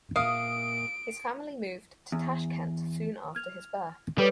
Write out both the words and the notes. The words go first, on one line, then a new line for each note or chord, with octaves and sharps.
His family moved to Tashkent soon after his birth.
A#2 A#3 E5 F5 D#6 D7
E2
F6 G#6 F7
G3 A4 B4 C#5